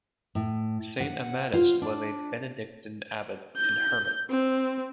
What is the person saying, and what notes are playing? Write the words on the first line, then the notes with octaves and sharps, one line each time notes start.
Saint Amatus was a Benedictine abbot and hermit.
A2
F#5
F4
D4
G6
C4